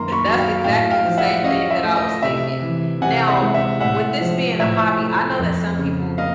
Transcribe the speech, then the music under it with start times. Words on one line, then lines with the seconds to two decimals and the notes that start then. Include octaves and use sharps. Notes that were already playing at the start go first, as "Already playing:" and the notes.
that's exactly the same thing that I was thinking. Now, with this being a hobby, I know that some people,
Already playing: F#2 D#3 A#3 A#5 C6
0.12 B5 C#6
0.25 F#3
0.38 F5 G5
0.64 A2 F5 G5
0.91 F5 G5
1.05 F3
1.18 E5 F#5
1.44 C#4 D#5 F5
1.71 E5
1.83 A3
1.96 D#5
2.23 C3 E5
2.62 E3
3.02 C3 F#5 G#5
3.28 E5 F#5
3.42 G#3
3.54 E5
3.80 A2 E5 F#5
4.21 F3
4.60 A2 E5
5.00 A3
5.39 F2
5.79 C#3
6.18 A#3 D#5 F5